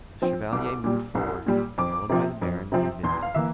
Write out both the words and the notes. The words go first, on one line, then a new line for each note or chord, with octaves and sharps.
The chevalier moved forward, followed by the baron and Vivian.
F3 C4
C2 D6
A#2 G3
C2
A#2 G3
F2 D6
C3 F3 C4
F2
C3 F3 C4
E2 C6
F5
E3 A#3 E5